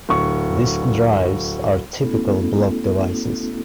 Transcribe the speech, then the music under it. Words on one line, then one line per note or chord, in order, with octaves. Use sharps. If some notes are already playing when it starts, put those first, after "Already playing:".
Disk drives are typical block devices.
D1 C#6
A3 B3 C#4 E4 F#4 A4